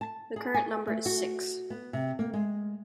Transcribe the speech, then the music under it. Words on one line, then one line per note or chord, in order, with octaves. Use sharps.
The current number is six.
A5
G#4
G#5
A3
F#4
B3
C3
A#3
G#3